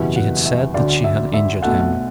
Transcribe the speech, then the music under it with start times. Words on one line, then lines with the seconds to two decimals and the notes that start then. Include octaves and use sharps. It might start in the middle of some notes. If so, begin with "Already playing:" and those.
She had said that she had injured him.
Already playing: F#1 E2 B2 G3 B3 E5
0.16 F#5
0.45 E5
0.74 D2 D3 F#3 D5
1.04 E5
1.34 E5
1.62 B1 B2 A3 F#5